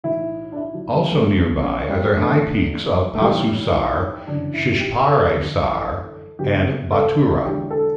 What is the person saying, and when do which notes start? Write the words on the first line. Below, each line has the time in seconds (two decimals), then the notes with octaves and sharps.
Also nearby are the high peaks of Pasu Sar, Shispare Sar, and Batura.
0.04 B1 A2 E3 E4
0.52 D4
0.56 E4
0.74 F#3
0.92 G3
1.10 E1 E2 B2 F#3 A3
1.36 B3
1.63 C#4
1.89 G3
2.15 E2 D3 F#3 A3
3.15 A3
3.21 B1 A2 E3 G3
4.27 G1 F#2 C#3 E3 D4
4.54 E4
4.79 G4
5.06 A4
5.33 G1 F#2 E3
6.39 C#2 B2 F#3 G4
6.91 A4
7.44 E1 E2 D3 F#3 G4
7.70 A4